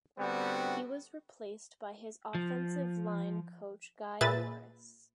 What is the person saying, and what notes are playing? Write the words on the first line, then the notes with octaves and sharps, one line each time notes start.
He was replaced by his offensive line coach Guy Morriss.
D3 G3 B3 C4 D4 F#4
F3
A#2 G#4 B4 E5 A6